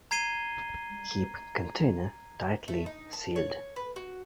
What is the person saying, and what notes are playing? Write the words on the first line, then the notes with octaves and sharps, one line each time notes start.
Keep container tightly sealed.
A#5 G#6 C7 D#7 G7
A3
D#4
A5
C#5
B4
F#4